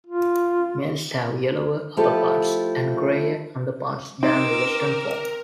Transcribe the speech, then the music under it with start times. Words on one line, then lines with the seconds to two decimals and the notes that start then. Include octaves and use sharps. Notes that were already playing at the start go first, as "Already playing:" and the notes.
Males have yellower upperparts and greyer underparts than the western form.
0.06 F4
1.97 F3 A3 E4 F4 G4 A4
4.23 C4 D#4 A#4 D6 E6